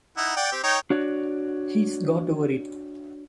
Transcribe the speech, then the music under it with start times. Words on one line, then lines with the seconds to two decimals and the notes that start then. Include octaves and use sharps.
He’s got over it.
0.17 D#4 E4 F#5
0.36 D5 F#5 G5
0.52 C4 G4
0.64 D#4 C#5 G5
0.90 D4 F#4 C#5 D5